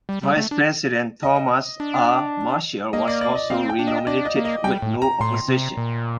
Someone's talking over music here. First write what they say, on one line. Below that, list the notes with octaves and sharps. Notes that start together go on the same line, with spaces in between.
Vice President Thomas R. Marshall was also re-nominated with no opposition.
G3
G3
A3
D4
D#5
D4
A#3 D#5
D5
D5
D#5
C4 F5
G5
D4
D#5
D4 D5
D#5
A#3
D#5
G3 G5
A2
A#5
A2 C6
C3
A#2